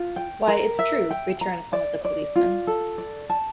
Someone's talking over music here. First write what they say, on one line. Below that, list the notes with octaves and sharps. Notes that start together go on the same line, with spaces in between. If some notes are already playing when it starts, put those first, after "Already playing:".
"Why, it's true," returns one of the policemen.
Already playing: F4
G5
A#4
E5
G5
A#5
D5
D5
F4
A4
D5
A5